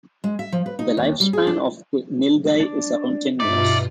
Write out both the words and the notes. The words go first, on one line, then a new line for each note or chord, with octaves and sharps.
The lifespan of the nilgai is around ten years.
G#3
E5
F3
B4
D#4
D#2
G3
G#4
D4
D4 D6
G2 B2 D#4 F4 D5 E5